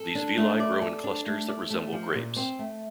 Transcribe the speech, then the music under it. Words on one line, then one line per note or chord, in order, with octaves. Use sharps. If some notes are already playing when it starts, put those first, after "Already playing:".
These villi grow in clusters that resemble grapes.
Already playing: A4
D4
A3
D5
A4
D4
A3
D5
A3
F3
A#2
C4
A3